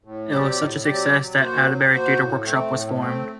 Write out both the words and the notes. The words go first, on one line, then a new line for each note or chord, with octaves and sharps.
It was such a success that Adderbury Theatre Workshop was formed.
A2
F#3 C4 G4 D5
A2
F#3 C4 G4 D5
F#3
A#3 F#4 C5
F#3
A#3 F#4 C5
A2
A3 C4
A2
A3 C4